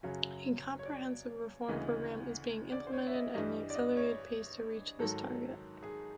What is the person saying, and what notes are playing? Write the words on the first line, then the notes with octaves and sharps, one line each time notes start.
A comprehensive reform program is being implemented at an accelerated pace to reach this target.
F#2 C#3 F#3 C#5
C#5
D5
D2 C#3 E3 D#5
D5
C5
C#5
E5
D#5
G2 E3 G3 D#5
D5
D#5
C#5
G#2 D#3 F#3 A4
G#4